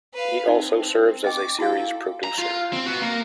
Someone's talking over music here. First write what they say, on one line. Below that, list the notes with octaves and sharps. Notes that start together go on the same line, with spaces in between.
He also served as a series producer.
B4 F5
C4 D#4
D#5 G5 C#6 D6
E4 F#4 A4 F5 G5
A#5
F4
C4
B3 F#4
A#3 A#4